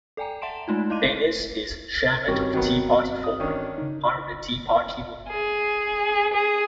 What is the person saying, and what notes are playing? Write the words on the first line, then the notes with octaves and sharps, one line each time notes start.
Innis is chairman of Tea Party Forward, part of the Tea Party movement.
A4 D5 G5 G#5 A#5
E5 F#5 A5 C6 D7 E7
G#3 A3 D#4 F4
E4 D#5 F5 C6 D6 D#7
G2 D#3 G3 C4 C#4 F#4
D#3 F#3 B3
D#6
D#3 C#4 D4
C#3 D#4
G#4
G#4